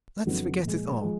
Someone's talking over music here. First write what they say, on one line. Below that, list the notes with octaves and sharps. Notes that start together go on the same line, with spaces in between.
Let's forget it all.
F2 C#3 F#3 B3 D#4
A#2 F3 G#3
F3 G#3